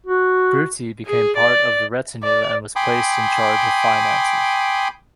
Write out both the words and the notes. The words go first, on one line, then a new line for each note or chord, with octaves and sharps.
Brutti became part of the retinue and was placed in charge of finances.
F#4
G#4
D5
D5
G5 G#5 B5 C6 D6 D#6